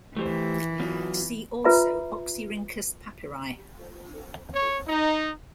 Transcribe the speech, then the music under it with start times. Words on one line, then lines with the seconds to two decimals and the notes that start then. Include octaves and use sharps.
See also Oxyrhynchus Papyri.
0.16 E3 A3 G4 C5
0.80 F#3 B3 F4
1.65 F4 B4 E5 A#5 B5
4.54 C#5
4.87 D#4